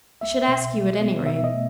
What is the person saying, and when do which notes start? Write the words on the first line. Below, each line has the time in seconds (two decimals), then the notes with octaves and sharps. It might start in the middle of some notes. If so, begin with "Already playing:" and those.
I should ask you at any rate.
0.21 C2 E5
0.48 B2
0.74 G3
1.00 B3
1.27 B2 E5
1.44 D#5
1.53 A3